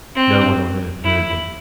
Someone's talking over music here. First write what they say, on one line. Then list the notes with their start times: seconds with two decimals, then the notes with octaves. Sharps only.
No one on earth heard them.
0.15 C4
1.05 E4